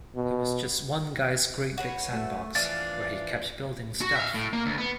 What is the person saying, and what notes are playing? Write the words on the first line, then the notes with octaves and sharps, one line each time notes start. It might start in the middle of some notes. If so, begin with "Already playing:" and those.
It was just one guy's great big sandbox, where he kept building stuff.
B2
F#4 B4 C#5
A3
E3 F3 D4 D5 F5 A6
F#4
E5 F5
A2
A#3
D2
B3